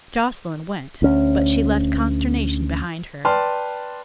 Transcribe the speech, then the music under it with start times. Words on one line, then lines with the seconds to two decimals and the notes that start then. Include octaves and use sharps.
Joscelyn went but she left consternation behind her.
1.02 D2 C#4
3.25 B4 D5 G5 A5 C6 F6